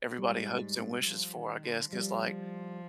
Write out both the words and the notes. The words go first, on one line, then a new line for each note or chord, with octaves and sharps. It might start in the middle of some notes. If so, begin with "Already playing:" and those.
everybody hopes and wishes for, I guess, 'cause, like
G#2 G3
F3
D#3
D3
F3 G3